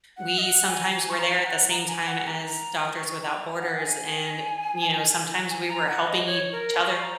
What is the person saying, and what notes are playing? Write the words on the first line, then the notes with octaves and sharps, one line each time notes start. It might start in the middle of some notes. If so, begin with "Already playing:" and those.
we sometimes were there at the same time as Doctors Without Borders and, you know, sometimes we were helping each other
F#5
D#5
F#5
G#5
G#5
C#6
A#5
F#5
A#5
G#5
F#5
A#5
A#5
C#6
A#5
F#5
G#5
G#5
A#5
F#5
D#5
D#5
C#5
A#4
C#6
A#5